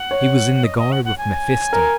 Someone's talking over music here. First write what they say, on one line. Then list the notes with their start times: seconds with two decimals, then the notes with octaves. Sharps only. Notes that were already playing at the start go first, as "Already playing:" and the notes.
He was in the garb of Mephisto.
Already playing: F#5
0.11 C#5
0.64 D#5
0.78 D#5
0.92 F#5
1.05 F#5
1.18 G#5
1.73 A#4